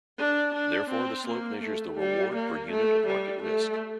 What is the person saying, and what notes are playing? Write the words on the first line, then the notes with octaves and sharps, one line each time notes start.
Therefore, the slope measures the reward per unit of market risk.
D4
D4
C4
A#3
A3
G3
A#3
A3
G3
A3